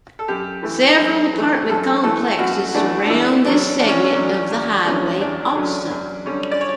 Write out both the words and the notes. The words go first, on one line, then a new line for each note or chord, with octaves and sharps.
Several apartment complexes surround this segment of the highway also.
A4
F#2 G4
E3 A3
F#2
E3 A3
F#2 A4
E3 A3 A4
F#2 F#4
E3 A3 D4
D4
E2 E4
D3 F#3 C#4 D4
E2 D4
C#4
C#4
D3 F#3 C#4
E2
D3 F#3 C#4
E2 D4
D3 F#3 C#4
F#2
D3 G3 C#4
D5
C#5